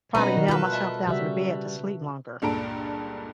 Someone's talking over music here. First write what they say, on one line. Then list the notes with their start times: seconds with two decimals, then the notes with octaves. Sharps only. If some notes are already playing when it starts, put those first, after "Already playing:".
probably nail myself down to the bed to sleep longer.
0.15 B2 G3 C4 D4 D#4 F#4 B4
0.37 D#3 A#4
0.48 F4 F#4 A4 B4
0.72 D#5 E5 A5
1.07 C#3 G3 F#4 E5
2.42 C#2 G2 A#2 A4 A#5 D7